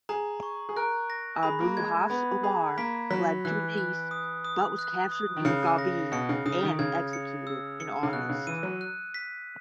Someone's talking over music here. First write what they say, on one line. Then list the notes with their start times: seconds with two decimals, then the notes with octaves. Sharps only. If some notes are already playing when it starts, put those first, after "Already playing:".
Abu Hafs Umar fled Tunis but was captured near Gabes and executed in August.
0.09 G#4 A#5
0.43 C#6
0.69 G#4
0.76 A#4 F#6
1.10 A#6
1.43 G#4 B5
1.61 A#3
1.77 G#3 G#6
1.94 G#3
2.10 B3 B5
2.43 G#4 B5
2.78 A#3 B6
3.10 F#3 B6
3.45 E3 F#6
3.78 F#6
4.11 D#6
4.45 D#6
4.79 F#6
5.12 D#6
5.36 D#3
5.45 C#3 C#7
5.79 A#6
6.12 B2 C#7
6.29 C#3
6.46 C#3 D#6
6.62 D#3
6.79 C#3 G#6
7.13 C#7
7.47 E6
7.80 C#7
8.03 C#3
8.13 B2 F#6
8.29 C#3
8.47 E3 D#7
8.63 F#3
8.81 F#6
9.14 B6